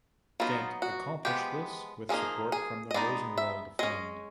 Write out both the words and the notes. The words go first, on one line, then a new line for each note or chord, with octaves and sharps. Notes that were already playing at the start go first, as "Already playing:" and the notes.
Dent accomplished this with support from the Rosenwald Fund.
F#3 B3 D#4 F4
F#4
F3 G#3 B3 G4
F3 A#3 D#4 G#4
G#4
D#5
G#3 B3 D#4 D5
E5
G#3 C#4 D#5